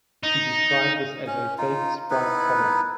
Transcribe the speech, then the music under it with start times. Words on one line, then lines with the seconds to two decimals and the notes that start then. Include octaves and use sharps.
She described this as a "fake" sprite comic.
0.23 D#4
1.27 C#4
1.58 D#4 F4
2.10 B3 D#4 E4 B4